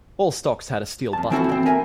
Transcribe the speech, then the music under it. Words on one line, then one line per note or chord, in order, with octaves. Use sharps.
All stocks had a steel buttplate.
F2 A5
E3 F3 C4 E4 F#4 A4
E3 C4
A#4 E5 G#5